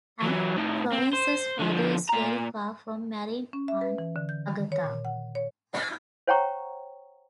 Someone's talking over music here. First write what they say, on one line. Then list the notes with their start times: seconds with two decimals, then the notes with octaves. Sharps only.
And Florence's father is very far from marrying Aunt Agatha.
0.22 E3 F#3
0.56 A2 D#3
0.92 C4
1.13 C5
1.59 D3 F3
2.09 A#2 A#5
3.53 C#4
3.68 E5
3.81 B4
3.98 E3
4.16 D3
4.29 G6
4.48 D#3
4.72 C#5
4.84 A#2
5.05 F#5
5.35 C#5
6.27 C5 C#5 F#5 G5 A#5 C#6